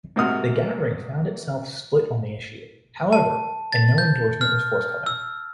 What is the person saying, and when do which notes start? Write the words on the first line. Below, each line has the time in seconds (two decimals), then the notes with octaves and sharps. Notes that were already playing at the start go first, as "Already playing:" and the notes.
The gathering found itself split on the issue, however, and no endorsement was forthcoming.
0.16 G#2 C3 A#3 F#4 D#6 F6
3.13 A5
3.72 A6
3.98 G6
4.41 F6
5.06 E6